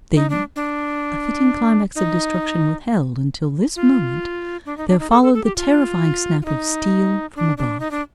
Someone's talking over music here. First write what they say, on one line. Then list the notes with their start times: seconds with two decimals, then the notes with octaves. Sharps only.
Then--a fitting climax of destruction, withheld until this moment--there followed the terrifying snap of steel from above.
0.16 D#4
0.30 D4
0.56 D4
1.95 D#4
3.76 F4
4.66 D4
4.78 D#4
4.88 D4
4.99 D#4
5.10 A4
5.22 A4
5.34 A4
5.44 G4
5.56 F4
6.42 F4
6.45 D#4
7.36 D4
7.58 D4
7.80 D#4
7.91 D4